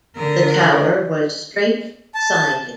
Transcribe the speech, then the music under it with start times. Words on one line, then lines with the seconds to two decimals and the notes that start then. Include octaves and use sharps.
The tower was straight-sided.
0.16 D3 A#4
2.15 A5